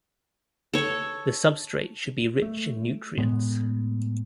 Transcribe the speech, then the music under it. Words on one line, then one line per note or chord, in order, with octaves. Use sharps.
The substrate should be rich in nutrients.
A4 C#5
A3
A2 G#3 B3